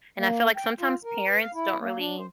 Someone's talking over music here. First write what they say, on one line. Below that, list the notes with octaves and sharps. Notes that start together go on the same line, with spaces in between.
And I feel like sometimes parents don't really
A#3
G5
F4
A#4
B4
F5
E4
A#3
D4
C5